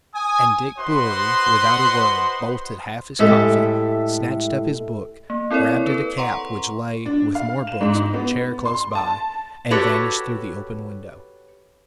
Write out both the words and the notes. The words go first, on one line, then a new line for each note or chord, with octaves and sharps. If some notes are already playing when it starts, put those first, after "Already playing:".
And Dick Bewery, without a word, bolted half his coffee, snatched up his book, grabbed at a cap which lay with more books on a chair close by, and vanished through the open window.
G#5 D#6
F#4 B4 C5 D#5 F#5 C6
A2 G#3 G4 A4 E5
A#3
C4 E4 A4 A#4 C#5 D5
A4 B4
F#5 A#5 C6 C#6
D4
F5
E7
G#2
D#4
B3
C6
A5
F#4 G4 A4 B4 C#5